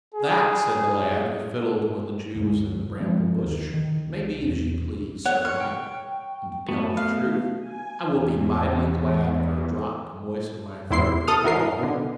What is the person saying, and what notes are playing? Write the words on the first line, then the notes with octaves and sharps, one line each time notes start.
"That," said the Lad who fiddled when the Jew was in the bramble-bush, "may be as you please, Sir Knight; and, to tell the truth, I will be mightily glad for a drop to moisten my throat withal."
G#4
D2 G2 B2 G#3
G1 F3 G#3 C4
D#2 D#3
D#3
C2
B1 E2
C#5 F#5
C#5 F6
G5
A3 B3 F#4
F5
G#5
E2
E2 G#2 E4 C6 C7
A4 D#6 F6
E3 F#4 A#4 C7
B2 D3